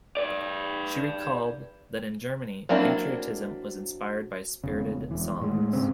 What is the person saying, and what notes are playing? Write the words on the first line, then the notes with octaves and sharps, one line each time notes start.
She recalled that in Germany patriotism was inspired by spirited songs.
B4 D5
F#3 A#3 C4 D4 E4
E1 C#3
E1 E3
A2 G#3
G#2 C#3 C4